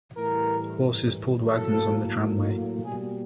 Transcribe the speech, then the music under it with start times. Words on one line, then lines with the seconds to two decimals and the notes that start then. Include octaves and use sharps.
Horses pulled wagons on the tramway.
0.17 A2 E3 G3 A#4
1.50 A2 F#3 A#3 A4
2.84 B2 G3 A#3 G#4